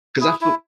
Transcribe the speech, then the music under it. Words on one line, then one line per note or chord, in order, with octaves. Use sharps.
'Cause I feel
E4 G#4
E4